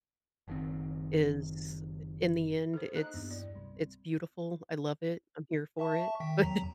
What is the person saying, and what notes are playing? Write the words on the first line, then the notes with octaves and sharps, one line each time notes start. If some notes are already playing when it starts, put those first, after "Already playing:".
is in the end, it's it's beautiful, I love it, I'm here for it, but
F#1 D#3 C4
A4 C5
A#3 D#4 D#5 F#6
E2 G2
D5
C2
E5 A5 C#6
D#3 G5 B6
E2 F#3 A#5